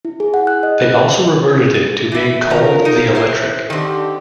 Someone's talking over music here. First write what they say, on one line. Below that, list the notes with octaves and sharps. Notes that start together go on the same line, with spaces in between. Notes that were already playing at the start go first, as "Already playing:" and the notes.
They also reverted it to being called the Electric.
E4
G#4
F#5
F#6
D#5
B4
E3 E4
D#3 F4 A#4 A#5
D#4
E4 C5
D3 D#3 C4 D4 G4